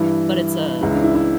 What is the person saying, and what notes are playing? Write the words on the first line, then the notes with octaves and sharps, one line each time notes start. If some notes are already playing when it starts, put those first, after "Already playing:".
But it's a
Already playing: G2 E3 E4
C#2 C#3 E3 E4
D4
E4
E4